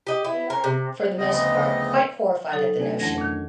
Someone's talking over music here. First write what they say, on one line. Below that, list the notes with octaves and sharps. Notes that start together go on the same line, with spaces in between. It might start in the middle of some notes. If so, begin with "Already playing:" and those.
They are, for the most part, quite horrified at the notion.
G4 D#5
E4
A#4
C3
D2 C#3 F3 B3 C4 D#5
F#3 D#4 A4
D2 D4 G#5
F2 E3 C#4 F#5 G#6 A#6
A#2 D#3